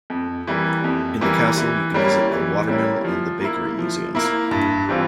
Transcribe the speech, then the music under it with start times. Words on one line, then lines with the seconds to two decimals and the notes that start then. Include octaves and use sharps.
In the castle, you can visit the Watermill and the Bakery museums.
0.10 F2
0.47 E3 G3 A#3
0.84 F2
1.21 E3 G3 A#3
1.57 E3
1.94 G3 A#3 C#4 E4
2.31 E3
2.68 G3 A#3 C#4 E4
3.05 F3
3.41 A#3 E4
3.78 F3
4.15 A#3 E4
4.51 G2
4.89 E3 G3 C4 F4